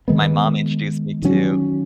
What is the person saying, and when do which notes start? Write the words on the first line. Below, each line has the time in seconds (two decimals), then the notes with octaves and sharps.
my mom introduced me to.
0.08 D#3 G#3 B3
1.22 D#3 F#3 C#4